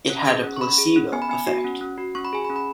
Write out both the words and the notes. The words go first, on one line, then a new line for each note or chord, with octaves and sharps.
It had a placebo effect.
C#4
G#4
C#4
C#6
C#4 B5
G#4
C#4
B3 G#5
B5
B3 G#5
F#4
C#4
C#4
F#4
C#4 C#6
B5
G#4 G#5
B5
C#4
B5